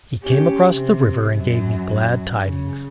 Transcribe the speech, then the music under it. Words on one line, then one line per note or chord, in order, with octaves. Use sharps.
He came across the river and gave me glad tidings.
C#4 G4
C3
F#2 F#3
C#3